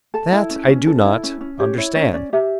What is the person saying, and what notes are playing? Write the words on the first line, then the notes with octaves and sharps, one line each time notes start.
That I do not... understand.
A4 A5
E4
C#4
C#4
A4
E4
C#4
C#4
G4 C#5
E4 C#5
C#4 C#5
C#4 D5
G4 E5